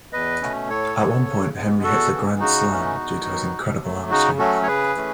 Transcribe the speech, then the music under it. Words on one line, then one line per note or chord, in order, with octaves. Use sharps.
At one point, Henry hits a grand slam due to his incredible arm strength.
E2 B4 D#5
B2 A3 C#4
A2 A4 C#5
E3 B3
C#3
G#3 B3
E2 F#4 A4
C#3 E3 B3
C#3 D#4 F#4
E3 A3 C#4
E2
D#3 F#3 B3
B2
F#3 A3
C#3 D#4 F#4
F#3 A3 C#4 F#4 A4
C#5
C#3 G#4 B4
E3 A3 C#4